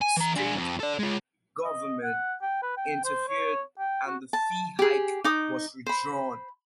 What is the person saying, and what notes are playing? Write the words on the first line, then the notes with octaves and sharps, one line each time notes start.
State government interfered and the fee hike was withdrawn.
G#5
E3 A#5
D4 G#4
F2
A4 D5
G#3 F4
D#5
F#5
G5
B4
G5
C5
C#5
G5
F#4
A5
G4 G#4
D#4 D6 D#6
C5 B5